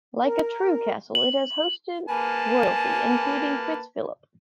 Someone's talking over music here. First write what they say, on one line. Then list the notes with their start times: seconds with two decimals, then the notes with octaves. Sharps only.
Like a true castle, it has hosted royalty including Prince Philip.
0.23 A#4
1.15 F#7
2.09 A#3 B4 G#5 A5